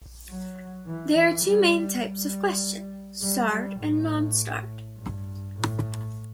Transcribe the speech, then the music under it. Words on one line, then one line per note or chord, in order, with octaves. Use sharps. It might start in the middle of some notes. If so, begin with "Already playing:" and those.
There are two main types of question-Starred and non-starred.
F#3
E3
E3
G3
G3
G3
G3
A2
G2
A2